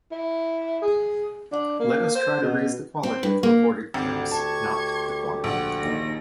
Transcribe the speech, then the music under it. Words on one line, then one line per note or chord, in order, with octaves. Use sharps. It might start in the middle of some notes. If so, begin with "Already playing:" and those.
Let us try to raise the quality of the recorded clips, not the quantity.
E4
G#4
D4
A#3
C5
B2
C4
G2
A#3
G#1 D2 D3 G4
A5 C#6 G#6
A#1 F#5
D#2 A#6